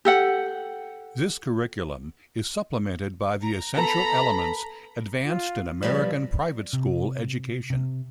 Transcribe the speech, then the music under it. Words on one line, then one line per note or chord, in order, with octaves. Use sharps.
This curriculum is supplemented by the essential elements advanced in American private-school education.
G4 A4 F#5
A#5
B3 A4 A#5 B5
F4
B2 F3 G3 D5
C3
C3